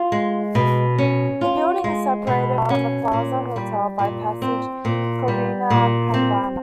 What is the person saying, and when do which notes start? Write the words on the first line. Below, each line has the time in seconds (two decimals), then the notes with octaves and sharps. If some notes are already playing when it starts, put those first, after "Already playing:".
The building is separated from the Plaza Hotel by the passage Corina Kavanagh.
Already playing: F4
0.12 G#3
0.55 B2
0.98 C#4
1.41 F4
1.84 G#3
2.27 B2
2.70 C#4
3.13 A#2
3.56 G3
3.99 A#2
4.42 C4
4.85 A#2
5.28 G3
5.70 A#2
6.14 C4